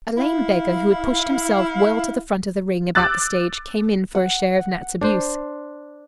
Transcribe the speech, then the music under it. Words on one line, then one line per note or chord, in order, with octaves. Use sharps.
A lame beggar who had pushed himself well to the front of the ring about the stage came in for a share of Nat's abuse.
E4 F5
D6 E6 F#6 A6
F#5
D4 C5